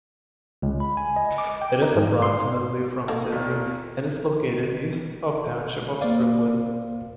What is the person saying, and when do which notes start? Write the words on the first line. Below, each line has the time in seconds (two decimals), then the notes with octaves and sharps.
It is approximately from Sydney and is located east of the township of Springwood.
0.62 C#2
0.80 B5
0.97 G#5
1.16 D#5
1.38 D6
1.61 G5
1.82 D#4
1.95 G#2
2.22 C6
3.08 D#3 A#3 A4
3.32 D#2 A#2
6.01 A#3 C5 D5 F5